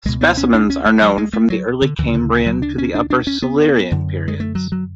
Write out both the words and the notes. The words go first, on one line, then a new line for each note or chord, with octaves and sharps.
Specimens are known from the early Cambrian to the upper Silurian periods.
C#2 B2 G#3
B3
C#4
D4
C#4
A3
F#3
G#3
A3
F#3
D3
D2 C#3 E3
D3
F#3
D4
C#4
D4
D4
C#4
B3
F#2 D3
G#3
A3
F#3
F#3